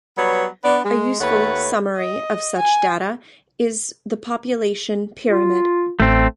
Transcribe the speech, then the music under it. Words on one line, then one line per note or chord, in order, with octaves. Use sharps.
A useful summary of such data is the population pyramid.
F#3 G3 B3 B4 C#5
B3 D4 B4 D5
G#3
D#2 A3 B4 C#5 F#5
D#5
G#5
F4
A1 A3 C4